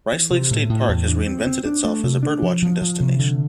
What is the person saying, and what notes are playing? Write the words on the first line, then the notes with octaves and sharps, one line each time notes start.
Rice Lake State Park has reinvented itself as a birdwatching destination.
E3
C3
A2
A2
E2
D4
C4
C4
D4
A3
C3
D4
F3
F3
F3
C3
D3